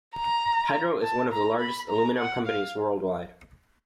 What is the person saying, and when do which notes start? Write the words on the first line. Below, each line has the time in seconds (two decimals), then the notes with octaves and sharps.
Hydro is one of the largest aluminium companies worldwide.
0.16 A#5
1.02 A5
1.32 A#5
1.60 B5
1.89 A#5
2.18 F#5
2.46 F5